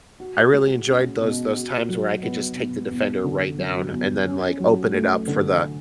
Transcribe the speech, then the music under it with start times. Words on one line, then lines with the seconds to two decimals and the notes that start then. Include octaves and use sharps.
I really enjoyed those those times where I could just take the defender right down and then like open it up for the
0.20 F#4
0.53 G#3
0.87 C#4
1.21 B2
1.55 F#4
1.89 F#3
2.23 B3
2.56 B2
2.91 E2
3.25 D3
3.58 F#3
3.92 E2
4.26 C#4
4.60 F#3
4.94 A3
5.28 D3